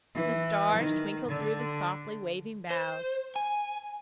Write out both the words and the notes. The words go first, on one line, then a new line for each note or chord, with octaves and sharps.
The stars twinkled through the softly waving boughs.
E3
D#3
D3
C5
G#5